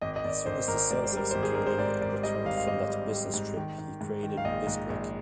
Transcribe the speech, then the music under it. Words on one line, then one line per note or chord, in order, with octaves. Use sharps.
As soon as the sales executive returned from that business trip, he created Bisquick.
G#1 D#5
D#5
G#1 D5
G#1 C5
G#1 A#4
G#2 D5
C5
G3 A#4
G#1 C5
G#4
G3 A#4
C5
G#2 D5
G#1 D5
G3 D#5
G#1 F5
F5
G#1 D#5
G3
G3
G#2
D#3
D#3
G#2
D#3
F5
A#1 D#5
G#2
A#1